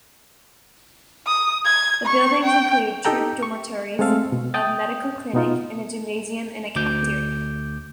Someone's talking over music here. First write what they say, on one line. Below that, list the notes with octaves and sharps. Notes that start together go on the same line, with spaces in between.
The buildings included troop dormitories, a medical clinic, a gymnasium and a cafeteria.
D#6
G#6
C#6
G5
D#4 G4 A4 G5 A#5
C#6
G#3 A3 C4 A4 F5
B2
G5 D#6 A6
B2 B3 D#4 F4
D2 D6 G6